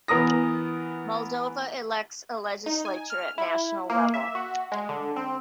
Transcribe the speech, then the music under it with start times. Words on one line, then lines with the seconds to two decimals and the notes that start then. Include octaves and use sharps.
Moldova elects a legislature at national level.
0.08 E3 B3 A#4 D#6 A#6
2.66 D#4
2.85 G#5
3.10 F6
3.38 E4
3.90 A#3
4.14 E5
4.35 F#4
4.72 G#3
4.89 D3
5.16 C4